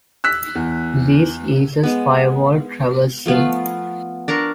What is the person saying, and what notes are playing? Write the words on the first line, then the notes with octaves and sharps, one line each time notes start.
This eases firewall traversing.
E6 F#6 B6
E2
G#3 B3
F3 A3 B3 F4
D4 A#4 A#5 C#6